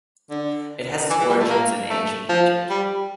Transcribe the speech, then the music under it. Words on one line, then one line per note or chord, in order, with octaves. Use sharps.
It has its origins in ancient Egypt.
D3
E3
E3
G3
A3
A#3
A3
F3
G3